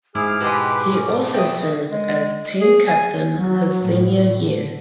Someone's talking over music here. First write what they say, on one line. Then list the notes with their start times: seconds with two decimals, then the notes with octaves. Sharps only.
He also served as team captain his senior year.
0.15 G#2 E4 G#4 D6 F6
0.41 B2 G#3 G4 B4
0.91 C#4
1.06 A3 B3
1.34 E5 G5 D#6
1.91 G#3
2.61 G#4
2.87 G#5
3.36 F#3
3.88 A2
4.35 D3